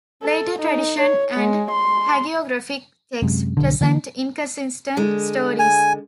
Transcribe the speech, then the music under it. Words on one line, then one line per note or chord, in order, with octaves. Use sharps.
Later tradition and hagiographic texts present inconsistent stories.
A4
D#4
C#5
G#3
C6
F#2 C3 G#3
B1 G2 D3
D3 E3 A3 A#3
D3 G#3
G#5